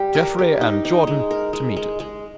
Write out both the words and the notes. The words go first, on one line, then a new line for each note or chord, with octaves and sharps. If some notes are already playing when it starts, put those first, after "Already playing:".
Geoffrey and Jordan, to meet it.
Already playing: G3 G4
A#4
G4
D#4
D#4
G#3
A#4
G#3
G#3
G#3